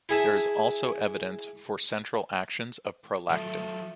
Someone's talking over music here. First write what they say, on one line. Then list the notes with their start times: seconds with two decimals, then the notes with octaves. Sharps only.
There is also evidence for central actions of prolactin.
0.09 E4 G#4 E5 A5
3.30 F3 F#3 A3